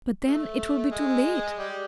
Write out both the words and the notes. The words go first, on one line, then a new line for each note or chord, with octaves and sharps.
But then it will be too late!
A3
G#3
G3